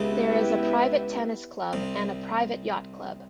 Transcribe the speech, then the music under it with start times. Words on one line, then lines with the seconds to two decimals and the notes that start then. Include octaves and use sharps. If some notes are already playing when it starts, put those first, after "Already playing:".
There is a private tennis club and a private yacht club.
Already playing: C#2 C#3 B3 E4 G4 B4 E5
1.73 C2 C3